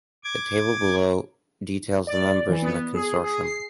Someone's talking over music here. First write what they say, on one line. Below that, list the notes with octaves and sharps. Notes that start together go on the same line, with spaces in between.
The table below details the members in the consortium.
D6 G#6
D5
E3
B3
G#4
G#4
C7